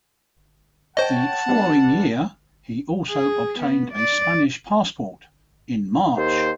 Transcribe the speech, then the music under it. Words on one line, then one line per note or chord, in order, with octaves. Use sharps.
The following year, he also obtained a Spanish passport, in March.
C5 C#5 D#5 F#5 G5 A5
G3 B3 D4
G#4
B3
D5
D#2 C5